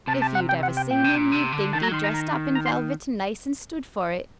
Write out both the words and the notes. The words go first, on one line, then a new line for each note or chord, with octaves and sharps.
If you'd ever seen 'im, you'd think 'e'd dressed up in velvet and lace and stood for it.
C3 A5
A5
F#5
G5
F#5
G5
A#2 G5
C3
A#2
C3
D3
D#3 A5
F#3 A#5
D#3 C6
A#5
A#5
A#5
C6